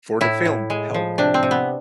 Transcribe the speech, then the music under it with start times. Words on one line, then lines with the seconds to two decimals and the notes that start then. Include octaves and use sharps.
For the film Help!
0.21 A2 E4
0.45 A2
0.70 G#3
0.94 F3
1.18 C3 D4
1.34 C4
1.43 C3
1.51 B3